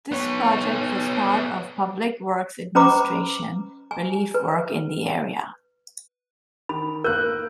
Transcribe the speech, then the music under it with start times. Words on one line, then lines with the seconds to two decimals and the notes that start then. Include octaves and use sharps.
This project was part of Public Works Administration relief work in the area.
0.12 B3 C#5
2.75 C#4 B4 C5 A#5 B5 D6
3.91 G#5
4.34 B4
6.69 D#3 B5
7.04 A#3 A#4 F#6 G6